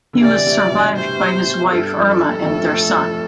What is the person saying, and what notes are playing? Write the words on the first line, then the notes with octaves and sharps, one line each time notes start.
He was survived by his wife Erma and their son.
D3
C3 E3 D5
A2 C3
G2 B2
C5
G2 A4
F2
A4
G2
F2 A2
F2 A2
F2